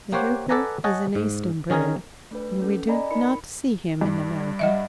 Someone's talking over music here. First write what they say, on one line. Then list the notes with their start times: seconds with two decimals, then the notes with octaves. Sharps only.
The Hoopoe is an Eastern bird and we do not see him in America.
0.12 A#3 G4 C5 C#5 F#5
0.49 A4 B4 D5 F#5 G#5 A#5
0.84 C#5 D#5 F#5 G#5 A5
1.15 G#2
1.70 D#3 C#4 G#4 A#4 G#5
2.31 A3 D4 B4
2.62 C#4 A4
2.88 D5 D#5 G#5 A#5 B5
3.11 D#4 A#4 B5 C#7
4.01 G2
4.59 G3 D#5 E5